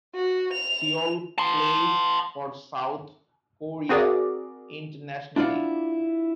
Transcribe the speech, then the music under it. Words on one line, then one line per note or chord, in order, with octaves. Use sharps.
Seol plays for South Korea internationally.
F#4
F7
A5 C6
C4 F#4 G#4 A#4 D5
D4 E4 F4 D5 F#5